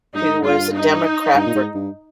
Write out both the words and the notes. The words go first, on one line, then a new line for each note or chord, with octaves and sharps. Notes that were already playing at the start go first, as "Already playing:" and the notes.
who was a Democrat for
G2 D#4
G#2
G2 F4
D#4
G2
A#2
G#2
G2